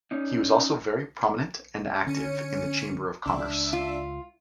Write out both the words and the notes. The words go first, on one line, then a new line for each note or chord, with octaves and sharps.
He was also very prominent and active in the Chamber of Commerce.
C#4 D#4
D3 C#4 C#7 D#7
C#2 G#3 D4 E5
F4